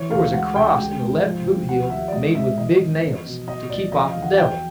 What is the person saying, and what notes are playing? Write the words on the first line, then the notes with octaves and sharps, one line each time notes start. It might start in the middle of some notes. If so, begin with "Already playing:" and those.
There was a cross in the left boot-heel made with big nails, to keep off the devil.
Already playing: E3 C#5
D2 F5
G#3 F#5
C#2 G5
G#3
G#2
F3
D2
F3 F#5
D#2 E5
D5
G#3 D#5
G#2 E5
E3 D#5
F2
B3
B2
F#3 D#5
D2 D5
F3 D#5
F5
E2
F#5
F#3 G5